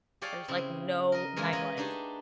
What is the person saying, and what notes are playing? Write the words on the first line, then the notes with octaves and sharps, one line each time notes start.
There's, like, no nightlife.
G4 G#4 C#5 D5 F5 A5
C#3 C4 E4
A#4 D#5
E3 G#3 A#3 C#4 F4
G#3 B4 C#5 D#5 F#5
A3 D4 D#4 G4 G#4